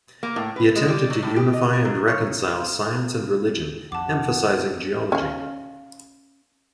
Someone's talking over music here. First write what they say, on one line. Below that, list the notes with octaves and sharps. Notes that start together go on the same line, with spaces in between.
He attempted to unify and reconcile science and religion, emphasizing geology.
A#3
A2
B4
G#3
G3
F#3
A2
G4
D#5
A#4
F#3
C#5
F2 F#5 A5 D6
C#4 F5